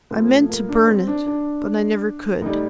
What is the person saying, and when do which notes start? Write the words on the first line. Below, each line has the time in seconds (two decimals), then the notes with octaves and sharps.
I meant--to burn it--but I never could.
0.11 A2 F3 C4
0.30 A3
0.49 A#3
0.69 D4
0.88 C4
1.07 D4
1.26 D4
2.42 A2 G3 D#4